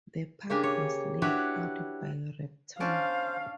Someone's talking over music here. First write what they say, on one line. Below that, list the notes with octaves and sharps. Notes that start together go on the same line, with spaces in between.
The park was laid out by Repton.
C#3 A#3 D4 G4 G#5
C#5
D4 E4 F#4 G4 B4 C#5
C#4 D4 C5 F5